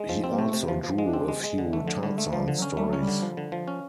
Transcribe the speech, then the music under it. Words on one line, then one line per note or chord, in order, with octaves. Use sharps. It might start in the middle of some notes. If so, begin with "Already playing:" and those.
He also drew a few Tarzan stories.
Already playing: G#3
F3
C4
A#3
C3 A3
C3
F3
F3
G#3 D4
C4
G#3
G#3
D3
E3 A3
F3
D3
F#3
D3 G3
G#3 A3
F3 G3
D3
F#3
C#4
G3 A3
F#3
G3 C#4
D3
F3
D3
F3
C#4